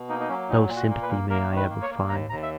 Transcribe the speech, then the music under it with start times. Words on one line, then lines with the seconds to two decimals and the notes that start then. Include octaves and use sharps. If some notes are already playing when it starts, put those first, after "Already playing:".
No sympathy may I ever find.
Already playing: B2
0.09 A#3 D#4
0.20 D#4
0.29 F#3 C#4
0.49 A#2 D#4
0.69 A#2
0.76 F#4
0.90 A#3
1.02 B4
1.09 A#3
1.30 A#3 A#4
1.50 D#3
1.56 B4
1.70 A#3
1.82 C#5
1.90 A#3
2.10 D#2 A#5
2.30 D#2 A#5
2.43 E5